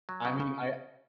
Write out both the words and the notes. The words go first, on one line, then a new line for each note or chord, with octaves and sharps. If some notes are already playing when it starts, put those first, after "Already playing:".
I mean, I
F#3
C#3
C#3